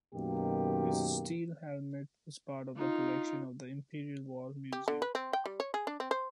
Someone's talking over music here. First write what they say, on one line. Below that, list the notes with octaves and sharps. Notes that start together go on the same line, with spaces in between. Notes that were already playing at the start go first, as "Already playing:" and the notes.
His steel helmet is part of the collection of the Imperial War Museum.
F#2 B2 D#3 A#3 G4
D#4 F4
G4
D3
B4
C4
G5
G3
C#5
G#4
D4
C4
C5